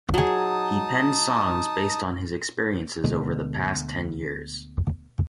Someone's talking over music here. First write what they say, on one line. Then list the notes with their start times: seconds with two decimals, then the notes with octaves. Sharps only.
He penned songs based on his experiences over the past ten years.
0.14 F#3 D#4 G#4 A5 D#6
3.04 D2 B2 D3 G#3